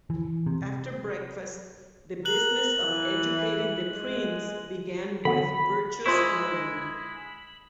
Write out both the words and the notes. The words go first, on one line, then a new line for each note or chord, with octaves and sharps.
After breakfast, the business of educating the prince began with "virtuous learning".
E3
C3
A#4 F#6 F#7
E3
G#3
D3 B3 B5
G#3 E4 F4 C5 C#6